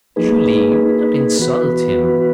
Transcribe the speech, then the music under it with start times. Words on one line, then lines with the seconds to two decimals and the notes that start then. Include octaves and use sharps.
"Julie--you need not insult him."
0.16 A#3 D#4 G#4 B4
1.39 E3 B3 F#4 B4